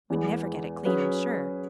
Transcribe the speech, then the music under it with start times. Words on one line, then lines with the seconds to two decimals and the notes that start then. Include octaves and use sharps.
"We'd never get it clean, I'm sure."
0.10 E2 E3 G#3 B3
0.85 F#3 C#4 G#4 B4